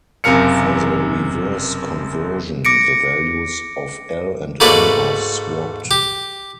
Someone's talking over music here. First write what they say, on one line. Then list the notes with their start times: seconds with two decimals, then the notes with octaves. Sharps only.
For the reverse conversion, the values of L and M are swapped.
0.24 F#1 F#2 C3 A#4 F5 C#7
2.65 D6 A#6 C#7 D7
4.60 G#2 A3 A#3 F#4 B4 D5
5.91 G4